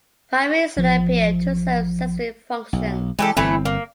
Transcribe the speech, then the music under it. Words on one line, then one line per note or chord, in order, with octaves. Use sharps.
Primary cilia appear to serve sensory functions.
A1 F3
B1
E3 G#3 G4 A4
G1 E3 A3 C4 E4
A#3